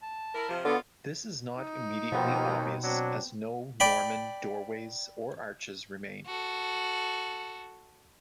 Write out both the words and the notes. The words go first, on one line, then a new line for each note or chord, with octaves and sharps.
This is not immediately obvious as no Norman doorways or arches remain.
A5
E4 A#4
C3 F3
D3 B3 F4 F#4 C#5 D5
D#4
D#2 B2 F3 B3 C4
F#5
F#3 C4 D4
D5 G5 B5
F#4 A4